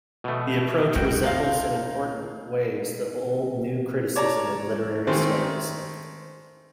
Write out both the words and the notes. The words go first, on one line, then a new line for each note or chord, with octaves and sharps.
The approach resembles in important ways the old New Criticism in literary studies.
B2 A3
F#1 C#2 G#3 F#4 G5
D#4 F4 F5
C#5 D5 A5 A#5
D#3 G#3 A3 C4